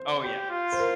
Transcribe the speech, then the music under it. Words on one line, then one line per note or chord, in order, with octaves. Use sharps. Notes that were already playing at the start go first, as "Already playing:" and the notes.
Oh, yeah, it's
Already playing: C5
G4
F4
C5
A#4